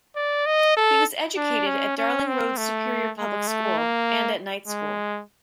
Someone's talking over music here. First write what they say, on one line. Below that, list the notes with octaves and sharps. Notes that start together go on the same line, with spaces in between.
He was educated at Darling Road Superior Public School and at night school.
D5
D#5
A4
D4
C#4
C#4
C4
A3
G#3
A3
A#3
G#3